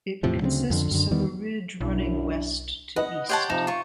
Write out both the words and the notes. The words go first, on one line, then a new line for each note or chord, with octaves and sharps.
It consists of a ridge running west to east.
E2 A2 C3 F3
D2 C#3 A#3 C4
F2 D3
F#2 D3
E2 D#3 G3 B3
B1 F#2 D4 E4
B4 D#5 F#5
G4 C#5 F#5 A5 C6
C3 F3 D#4 E7
F4 C#6